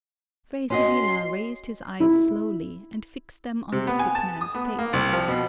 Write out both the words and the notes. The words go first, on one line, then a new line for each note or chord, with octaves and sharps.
Fray Sibyla raised his eyes slowly and fixed them on the sick man's face.
C#4 F#4 D#5 C6
E4
C3
B3
G#5
A5
D#6
B3
A#3
C2
F3
B2